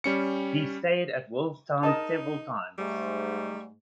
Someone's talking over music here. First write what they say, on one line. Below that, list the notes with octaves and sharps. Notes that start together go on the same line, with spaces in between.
He stayed at Willstown several times.
G3 C#4 C#7
D#4 A#4 D#5 A5
G#2 G3 A3